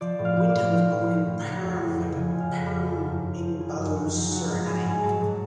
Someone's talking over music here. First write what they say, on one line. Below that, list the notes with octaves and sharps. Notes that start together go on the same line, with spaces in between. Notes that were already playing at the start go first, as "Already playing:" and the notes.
Winter was born in Paramaribo, Suriname.
F3 D5
A2
F5
F3
D5
A2
F3 F5
A2
F3
A2
C#3 F#5
F2
F2
F3
C#3 G#5
F2
F5
F2 F#5
G#5
F3
C#3 A5
F#2
F#2
F3
C#3 G#5
F#2
F#2 F#5
F3
F#3 F#5
G#2
F#3 G#5
G#2
F#3 A5
G#2